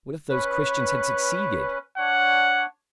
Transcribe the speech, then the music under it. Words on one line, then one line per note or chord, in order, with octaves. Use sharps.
What if those Christians had succeeded!...
C#4 B4
D4 C#5 F#5